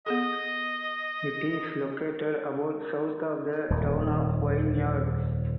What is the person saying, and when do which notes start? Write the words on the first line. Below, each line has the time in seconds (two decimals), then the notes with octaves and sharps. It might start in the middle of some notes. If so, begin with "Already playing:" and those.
It is located about south of the town of Wynyard.
0.06 B3 G#4 A4 D#5
3.70 D#1 F2